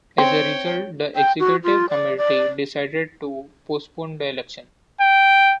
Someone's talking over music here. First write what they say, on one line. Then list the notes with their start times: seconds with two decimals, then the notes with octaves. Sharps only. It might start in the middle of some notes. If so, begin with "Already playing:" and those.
As a result, the executive committee decided to postpone the election.
0.18 C4 C#5 G5
1.16 G5
1.40 F#4
1.64 F4
1.89 D5
2.17 D5
5.01 G5